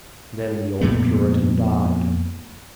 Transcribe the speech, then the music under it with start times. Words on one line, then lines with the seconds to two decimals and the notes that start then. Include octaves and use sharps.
Then the old Puritan died.
0.81 F2 A#2 A3 B3